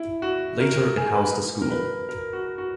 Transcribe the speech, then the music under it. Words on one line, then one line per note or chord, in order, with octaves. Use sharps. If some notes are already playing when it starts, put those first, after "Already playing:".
Later it housed a school.
Already playing: E4
F#4
A#4
G#4
B4
A#4
B4
A#4
F#4
F#4